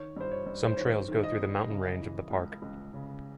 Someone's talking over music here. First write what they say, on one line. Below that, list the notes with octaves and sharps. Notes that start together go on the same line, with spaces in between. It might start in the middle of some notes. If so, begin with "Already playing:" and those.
Some trails go through the mountain range of the park.
Already playing: D#3 C#5
G2 C5
C#5
G2
C5
D#3 C#5
D#3
D#5
G2
C#3
E3
C#2
C#2
C#3